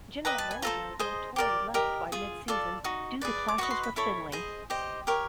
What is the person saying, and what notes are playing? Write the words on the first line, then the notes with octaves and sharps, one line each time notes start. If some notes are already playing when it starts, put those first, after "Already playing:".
General manager Bill Torrey left by mid-season due to clashes with Finley.
G4 B4 D#5 A#5
A5
G#5
F4 A4 C5 A#5
G#4 C5 D#5
G4 A#4 D5
G4 A#4 D#5
F4 G#4
F4 A4 D5
D#4 F#4
G#4 B4 D5
D6
F#4 B4 D#5 C#6
C6
B5
E4 A4 C#5 B5
G#4 C5 D#5
G4 C5 D#5
G4 A#4 C#5